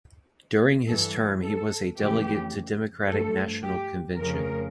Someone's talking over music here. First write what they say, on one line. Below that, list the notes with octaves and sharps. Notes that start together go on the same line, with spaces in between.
During his term he was a delegate to Democratic National Convention.
G2 E3 G3 A4
A4
F2 C#3 E3 A3 G4
G2 F3 A3 A4
G4
F2 C#3 F3 A3 A#4